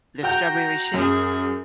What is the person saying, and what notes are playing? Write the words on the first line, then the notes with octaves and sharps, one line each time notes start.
the strawberry shake
F#4 G5 A#5 G6
F#2 G#4